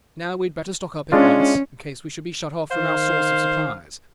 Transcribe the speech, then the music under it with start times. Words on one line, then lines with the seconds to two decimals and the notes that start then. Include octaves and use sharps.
And now we’d better stock up at once, in case we should be shut off from our source of supplies.
1.12 G#3 C#4 D4 F4
2.72 D#3 C5 F5